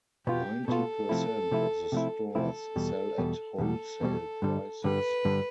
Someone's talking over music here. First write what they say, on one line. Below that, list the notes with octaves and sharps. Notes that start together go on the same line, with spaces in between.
Ninety percent of the stores sell at wholesale prices.
B2 B3 F4 G4
B2 B3 F4 A4
C3 F3 A3 C4 E4
C3 F3 A3 C4 E4
C3 F3 A3 C4 E4
C3 F3 A3 C4 E4 A4
E2 B2 G3
E2 B2 G3
E2 B2 G3 A4
E2 B2 G3
G2 D3 G3
G2 D3 G3 B4
G2 D3 G3